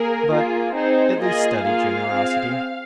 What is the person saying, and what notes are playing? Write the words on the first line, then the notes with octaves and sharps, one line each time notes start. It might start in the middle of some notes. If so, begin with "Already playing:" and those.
But, at least, study generosity.
Already playing: A#3 G#4 A#4
A#3 F4 G#4
C4 D#4 G#4 C5
A#3 F4 G#4 D#5
A#3 F4 G#4 F5
C4 G#4